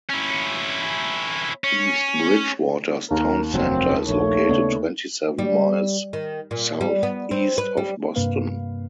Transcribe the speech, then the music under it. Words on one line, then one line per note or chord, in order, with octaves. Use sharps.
East Bridgewater's town center is located twenty-seven miles southeast of Boston.
C#4 E4
C#4
D#2 A#4
F1 F#3 C4
A#1 A3 C#5
C#3 B3 D4
G3
D#3
A#2
G3
B3
C4
B4
G3
G2 C3 A#3 B4 F5